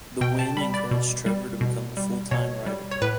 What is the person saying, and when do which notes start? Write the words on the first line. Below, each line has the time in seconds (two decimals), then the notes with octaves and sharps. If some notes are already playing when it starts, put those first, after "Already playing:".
The win encouraged Trevor to become a full-time writer.
0.21 B2 G5
0.39 A5
0.57 G3 B5
0.74 D5
0.91 B2
1.26 G3
1.61 B2
1.97 G3
2.31 B2 C#5
2.66 G3
2.91 C#5
3.02 A2 B4